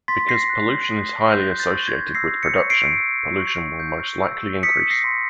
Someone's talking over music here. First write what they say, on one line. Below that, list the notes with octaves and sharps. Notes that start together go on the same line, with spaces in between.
Because pollution is highly associated with production, pollution will most likely increase.
C6 A6 B6
A#6 C7
F#6
D#6
F#6 G6
G6 A6
C#6
G#6 A#6
E6 A#6 C7
B6 C#7
C#6
C7 D7
E6
C#6
G6
E6
D#6 B6 C#7
A#6 C7
C6